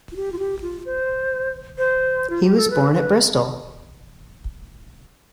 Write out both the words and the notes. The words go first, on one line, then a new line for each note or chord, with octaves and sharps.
He was born at Bristol.
F4
G4
F4
G4
F4
C5
C5
F4
G4
A4
B4
B4